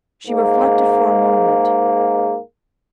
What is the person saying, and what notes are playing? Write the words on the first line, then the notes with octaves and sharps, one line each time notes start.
She reflected for a moment.
G#2 G#3 A#3